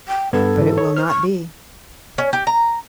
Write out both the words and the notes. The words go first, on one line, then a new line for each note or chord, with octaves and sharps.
But it will not be.
G5
G2 B3 A4 G#6
G#2 E3
C#5
C5 F6
C#6
C#4
G4
A#5